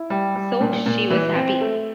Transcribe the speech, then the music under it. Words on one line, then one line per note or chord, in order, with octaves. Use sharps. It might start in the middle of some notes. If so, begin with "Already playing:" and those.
So she was happy.
Already playing: E4
G3
G3
A#2
A#2
E3
C4
A3